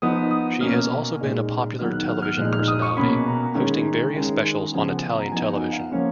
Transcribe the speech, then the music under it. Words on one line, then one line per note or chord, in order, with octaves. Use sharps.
She has also been a popular television personality, hosting various specials on Italian television.
F3 B3 D#4 D#6
D#6
B2 A#3 C#4 F6
A#2 G#3 D#4
D#3 F#3 B3 D#4 F6
F#6
F6
F6
A#2 F3 G#3 D#4 F#6
F6
D#6
C#6
B2 A#3 C#4 B5
A#5
D#3 G#3 C#4
D#3 G#3 C#4
C#3 F3 B3 G#5
F#5
G#5
A#5
F3 B3 D#4 G#5
F#5
F5
F3 A#3 C#4 C#5